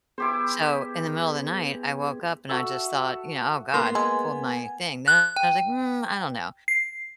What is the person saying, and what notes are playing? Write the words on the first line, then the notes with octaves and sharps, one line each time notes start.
so in the middle of the night, I woke up and I just thought, you know, "Oh, god, pulled my thing," then I was like, "Mm, I don't know."
B3 E4 G4 G#4 C5
F#4 A4 E5
A#3 B3 B4 C6
G#3 G#5
F#6
G5
C7